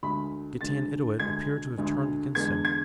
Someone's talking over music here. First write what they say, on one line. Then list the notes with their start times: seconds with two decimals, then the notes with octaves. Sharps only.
Getanittowit appeared to have turned against him.
0.03 D2 D3 G#3 B5
0.61 D2 D3 G#3 A6
1.19 D2 D3 G#3 G#6
1.78 D2 D3 G#3
2.35 E2 D3 G#3 G#6
2.65 G#6